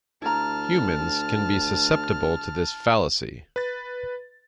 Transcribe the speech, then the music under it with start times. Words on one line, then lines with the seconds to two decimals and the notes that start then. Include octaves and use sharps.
Humans can be susceptible to this fallacy.
0.22 D2 E4 A5 A#5 F6
3.56 B4 A6